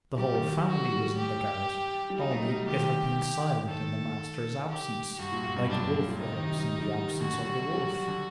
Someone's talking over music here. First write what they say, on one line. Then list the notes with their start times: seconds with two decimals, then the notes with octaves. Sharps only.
The whole family was in the garret. Only, it had been silent in the master's absence, like wolf whelps in the absence of the wolf.
0.17 G3 G4
0.35 D#3
0.51 F#3
0.68 G3 F#4
0.87 F#3
0.93 G3
1.18 G4
2.10 G3
2.18 F#3 D#4
2.31 A3
2.43 G3
2.56 F#3
2.68 D#3 G4
3.68 D#3 A4
4.69 G4
5.19 G2 F#4
5.32 A#2
5.44 G2
5.57 G2
5.70 F#2 D4
5.82 G2
5.94 G2
6.07 A#2
6.20 C3 D#4
6.32 D#3
6.45 G3
6.57 G3
6.82 G3
6.95 G3
7.08 D#3
7.20 D3 F#4
7.32 D3
7.45 G3
7.57 F#3
7.70 G3
7.83 F#3
7.95 F#3
8.08 D3